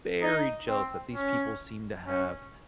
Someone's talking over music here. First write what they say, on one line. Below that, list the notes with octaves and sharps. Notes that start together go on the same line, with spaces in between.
very jealous that these people seem to have,
D#4
C4
C#4
C#4